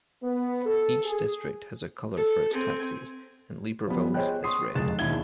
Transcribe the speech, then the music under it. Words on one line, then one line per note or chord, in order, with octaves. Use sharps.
Each district has a colour for its taxis and Libreville's is red.
B3
A4
G#4
A4
C4 G#5
F3 G3 B3
G#4 C5 C#5 D#5 G5 F#6
C6 C#6 D#6 C7
F1 G#3 F4 F#6 A6 E7
E1 D#2 E4 G#6 G7